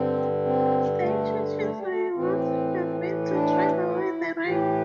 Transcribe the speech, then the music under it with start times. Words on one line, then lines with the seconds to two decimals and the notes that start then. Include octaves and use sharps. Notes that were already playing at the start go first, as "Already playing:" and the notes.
The intention may once have been to drive away the rain.
Already playing: G2 D3 C4
0.45 C4
1.01 A3
1.59 A3
1.76 G3
1.87 A3
2.16 A2 E3 C4
3.31 D4
3.88 E4
4.45 A2 E3 G4